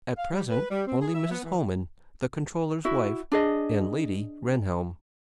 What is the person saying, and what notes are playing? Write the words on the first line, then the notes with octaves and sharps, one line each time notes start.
"At present only Mrs. Homan, the controller's wife, and Lady Rehnhjelm."
F5
G3
B4
G3
C4
G#4
E5
B3
E3
E4 F#4 E5
D4 G#4 D#5